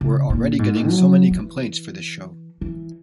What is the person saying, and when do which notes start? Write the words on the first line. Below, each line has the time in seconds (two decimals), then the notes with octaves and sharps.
We're already getting so many complaints for this show!
0.01 C#3
0.30 A#2
0.59 G#2
0.88 F#3
1.31 E3
2.61 E3